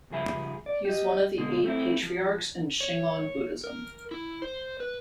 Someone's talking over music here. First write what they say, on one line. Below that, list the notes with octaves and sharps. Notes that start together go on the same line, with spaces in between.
He is one of the eight patriarchs in Shingon Buddhism.
C#2 G2 F3 G#4 E5 B5
D5
G4 D#5
B2 D3 G#3
A3 C4 E4
F3
C#5
A#4
E4
C5
B4